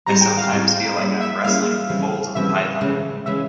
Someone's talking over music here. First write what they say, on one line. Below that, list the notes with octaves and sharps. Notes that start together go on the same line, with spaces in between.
I sometimes feel like I'm wrestling in the folds of a python.
G#2 G3 C4 E4 G4 A#5
G5
F5
G#2 G3 C4 E4 G4
G3 A#3 C#4 E4 G#4
E5
G3 A#3 C#4 E4 G#4 F5
F2 C#3 E3 G3 C4
F2 C#3 E3 G3 C4 E5
F2 C#3 E3 G#3 C#4
C#3 E3 G#3 C#4 E5